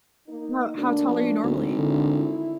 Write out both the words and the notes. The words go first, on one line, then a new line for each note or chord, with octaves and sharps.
How how tall are you normally?
A#3 D#4
D2 A#3 D4
A#1
G#1 D2
D3 E4
E4